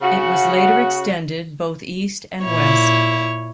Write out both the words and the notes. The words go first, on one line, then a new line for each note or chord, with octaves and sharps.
It was later extended both east and west.
C#3 F#4
A#2 E4 C#5